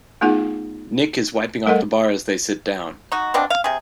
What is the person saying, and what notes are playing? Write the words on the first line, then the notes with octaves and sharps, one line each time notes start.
Nick is wiping off the bar as they sit down.
A3 B3 D#4 F4 G#4 F#5
G3 A3 A4 A#4 D#5 F#5
D#4 F#4
B2 F3 C4 D4
F5
C3 G#4